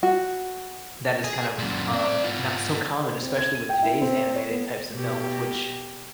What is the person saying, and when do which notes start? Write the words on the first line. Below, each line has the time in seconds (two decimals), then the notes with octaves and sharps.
that is kind of, um, not so common, especially with today's animated types of films, which
0.03 F#4
1.24 G#4
1.59 F#2 A#2
1.93 C4 D5
2.24 B3 F4
3.23 C4
3.39 G#6
3.55 D#7
3.69 G5
3.82 E4
4.01 C4
4.36 C#5
4.51 B3
4.93 B2 G4